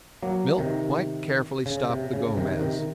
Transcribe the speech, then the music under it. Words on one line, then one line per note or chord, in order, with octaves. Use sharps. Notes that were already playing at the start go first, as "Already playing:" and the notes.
Milt quite carefully stopped the Gomez.
F#3 A#3
C3 D#3
C#3
C3
C#3
C#3
C3 D#3
C3 D#3